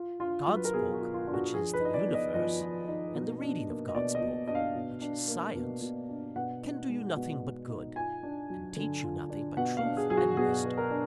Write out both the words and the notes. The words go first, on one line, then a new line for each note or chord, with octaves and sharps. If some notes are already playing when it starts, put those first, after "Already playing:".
God's Book, which is the Universe, and the reading of God's Book, which is Science, can do you nothing but good, and teach you nothing but truth and wisdom.
Already playing: F4
D4 F4
F#3
B4
A#4
B2 G#4
F#4
F4
F4
D4 F4
F#4
F3 G#4
B4
D#4
D#5
D5
B3
D#5
F3 D#5
F3
D#4
B2
D4
A#3
D#5
B2 D5
D#5
B2
D4 D#5
F5
B2
D4
A#3
B2
B2
D4
B2 F#5
D#4
G#3
B2
B2
D#4
F4 G#5
D4
F#3
D3
F4
D4
B2 F#5
F5
D4
G#4
F#3 G#4
F#4
B2 G#4
B2
A#4
D4